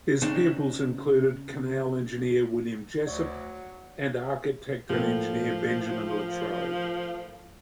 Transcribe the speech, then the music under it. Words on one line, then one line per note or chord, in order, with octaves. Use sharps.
His pupils included canal engineer William Jessop and architect and engineer Benjamin Latrobe.
C#3 C4 D4 D#4
D2 F#3 D5 C#6
A2 F3 A3 A#3